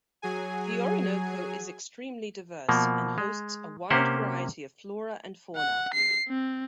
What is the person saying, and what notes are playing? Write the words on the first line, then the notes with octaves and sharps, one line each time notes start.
The Orinoco is extremely diverse and hosts a wide variety of flora and fauna.
F#3 G#4 G#5
B2 F3 A#3
G#3
C3 A#3 C#4 G4 C5 F#5
F#5
C7
C4